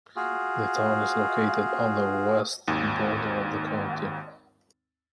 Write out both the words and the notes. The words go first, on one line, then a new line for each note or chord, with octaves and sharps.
The town is located on the west border of the county.
F4 F#4 G#4
G#1 D#2